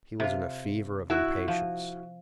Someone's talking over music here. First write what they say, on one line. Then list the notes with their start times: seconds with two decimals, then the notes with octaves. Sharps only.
He was in a fever of impatience.
0.20 C3 F4
1.10 E4 F#4
1.48 F3